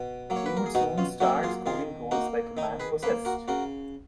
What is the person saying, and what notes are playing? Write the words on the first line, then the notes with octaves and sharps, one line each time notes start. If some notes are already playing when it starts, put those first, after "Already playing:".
He would soon start scoring goals like a man possessed.
Already playing: B2
F#3 A#3
C#5
B4
A#4
G#4
B2 D#4 F#4
C#4 F4
F#3 A#3 D#4 F#4
F4 G#4
D#3 F4 G#4
A#3 D#4 F#4
D#3 D#4
G#4 B4
A#3 G#4 B4
F#4 A#4
C#3 F#4 A#4